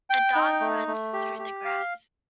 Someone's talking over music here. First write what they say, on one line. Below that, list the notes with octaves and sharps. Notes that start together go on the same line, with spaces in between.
A dog runs through the grass.
G5
D#4
A3
A3
G4
G4
F5